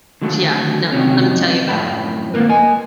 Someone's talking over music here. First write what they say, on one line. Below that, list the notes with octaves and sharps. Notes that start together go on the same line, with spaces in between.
yeah, no, let me tell you about it, yeah.
D3 D#3 F#3 A3
C3 D#3 F3 F#3 C4 C#4
F2
F#2 A2 G#3 E5 G5 B5
A#3 A#4 B4
D#5 G#5